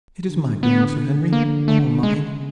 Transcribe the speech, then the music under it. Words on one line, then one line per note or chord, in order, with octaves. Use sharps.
It is my doing, Sir Henry--all mine.
D3
D3 B3
A#3
A3
C#3 G#3